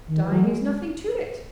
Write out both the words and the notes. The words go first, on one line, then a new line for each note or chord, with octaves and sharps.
Dying is nothing to it.
D#3
E3
F#3
G#3